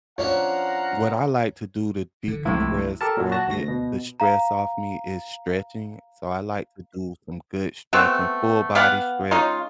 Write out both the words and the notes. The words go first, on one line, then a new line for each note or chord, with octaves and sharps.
what I like to do to decompress or get the stress off me is stretching. So, I like to do some good stretching, full-body stretch.
F3 C#4 D4 C#5 F5 F#5 A#5
D3
C2 A2 C3 F3 G#3 E4
G4 A4 A#4 A5
A#2 F#3
F#4 A5 A#6
D2 A#6
B2
F5 A#5
A3 B3 C4 F#4
B3 G4 F5 F#5
G#3 C#4 D#4 F4